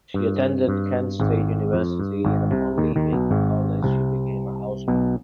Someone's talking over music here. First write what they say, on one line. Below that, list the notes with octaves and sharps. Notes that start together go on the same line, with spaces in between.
She attended Kent State University, and upon leaving college she became a housewife.
G2
G2
G#1 G#2
F2
G2
G#1 G#2
C2 C3
D#2 D#3
D#2 D#3
B1 B2
G#1 G#2
C2 C3
B1 B2